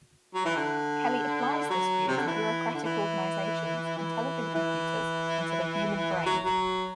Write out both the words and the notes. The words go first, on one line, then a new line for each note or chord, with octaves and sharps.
Kelly applies this view to bureaucratic organisations, intelligent computers, and to the human brain.
F#3
E3
D3
F#3
C3
D3
E3
D3
E3
E3
E3
F#3
F#3